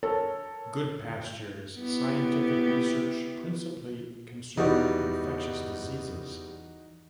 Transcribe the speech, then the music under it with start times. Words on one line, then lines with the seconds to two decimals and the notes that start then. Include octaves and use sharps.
Goodpasture's scientific research principally concerned infectious diseases.
0.03 A4 A#4 C#5
1.80 B3 E4 G4
4.58 E2 E3 G3 D#4 F#4